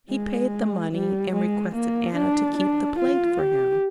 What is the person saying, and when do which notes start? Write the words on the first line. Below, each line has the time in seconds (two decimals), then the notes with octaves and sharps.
He paid the money, and requested Anna to keep the plate for him.
0.10 G#3
0.93 G3
1.34 G#3
1.75 A#3
2.15 D4
2.57 D4
2.98 F4
3.39 G4